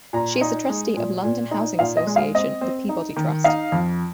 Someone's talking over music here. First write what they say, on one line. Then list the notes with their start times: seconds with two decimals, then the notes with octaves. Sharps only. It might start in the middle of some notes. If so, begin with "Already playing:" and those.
She is a Trustee of London Housing Association the Peabody Trust.
0.13 A#2 A#5
0.41 D#4
0.69 G#3
0.97 A#2
1.24 A#2
1.51 D#4
1.79 A#2 F5
1.97 D#5
2.07 G#3
2.16 F5
2.34 C4 D#5
2.61 C4
2.89 D#4
3.16 D#3
3.44 D#4 F5
3.72 F2